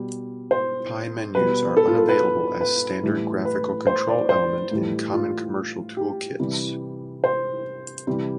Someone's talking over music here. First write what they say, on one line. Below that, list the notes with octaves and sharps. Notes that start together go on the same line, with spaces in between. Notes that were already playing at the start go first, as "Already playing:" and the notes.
Pie menus are unavailable as standard graphical control element in common commercial toolkits.
Already playing: B2 G3
C5
B2 G3 B4
A4
F4
A4
B4
B4
A2 E3 G3
B4
C5
D5
C5
A2 E3 G3
F4
G4
C3 E3 G3
C5
C3 E3 G3